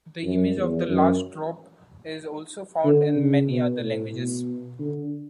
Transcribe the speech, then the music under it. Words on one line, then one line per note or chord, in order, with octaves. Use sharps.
The image of the last drop is also found in many other languages.
F#2
E2
F#2
D3
C#3
B2
A2
B2
D3